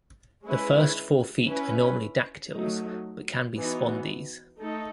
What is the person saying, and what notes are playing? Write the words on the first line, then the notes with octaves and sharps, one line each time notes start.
The first four feet are normally dactyls, but can be spondees.
G#3 C#4 E4 B4
C#4 E4 B4
F#3 A3 D#4
E3 B3 D#4 F#4
A3 D#4 A4